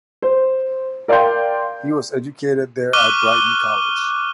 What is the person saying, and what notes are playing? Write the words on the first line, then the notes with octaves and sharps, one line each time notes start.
He was educated there at Brighton College.
C5
A#4 D5 F5 G5 C6 G6
C#6 D6 F6 F#6 D#7 G7